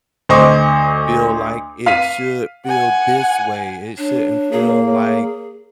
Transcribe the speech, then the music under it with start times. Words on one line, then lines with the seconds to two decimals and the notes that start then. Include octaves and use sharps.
feel like, "It should feel this way. It shouldn't feel like,
0.29 D2 C5 D#5 C#6 D6
1.86 F5 B6 D#7
2.65 F#5 G#5
3.98 D4 C#5
4.52 A#3 G#4